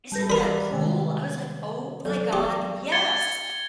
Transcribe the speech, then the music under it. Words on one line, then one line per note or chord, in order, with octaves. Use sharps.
isn't that cool? I was like, "Oh my god. Yes!"
G3 B4 A5 G6 A#6
G4 A#4 B4 D5 B5
C3 D#3 G#3
F#3 A4 D5
B3 G4 D5
G#6 A6 C#7 G7